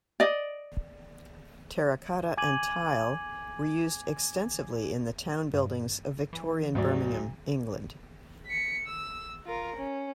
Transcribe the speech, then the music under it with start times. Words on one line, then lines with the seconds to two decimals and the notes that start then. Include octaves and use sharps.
Terracotta and tile were used extensively in the town buildings of Victorian Birmingham, England.
0.20 D5 D#5
2.37 G#5 D6 G#6 D#7 F#7
5.53 G2
6.33 E3
6.75 D2 G#2 F#3 D5
8.47 B6 C#7
8.87 E6
9.46 F4 A#4
9.77 C#4